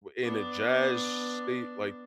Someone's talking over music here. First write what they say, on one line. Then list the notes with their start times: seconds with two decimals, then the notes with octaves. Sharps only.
in a jazz state? Like,
0.21 B3 D4